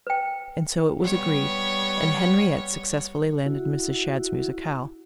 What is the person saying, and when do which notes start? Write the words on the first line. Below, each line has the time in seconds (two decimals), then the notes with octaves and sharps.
And so it was agreed, and Henriette successfully landed Mrs. Shadd's musicale.
0.07 B4 G5
1.00 G3 B3 C#5
3.46 E4 F#4